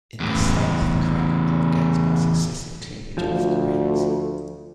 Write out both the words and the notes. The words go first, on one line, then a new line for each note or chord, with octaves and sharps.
In this state, the crack will propagate by successive cleavage of the grains.
E2 A2
D2 F3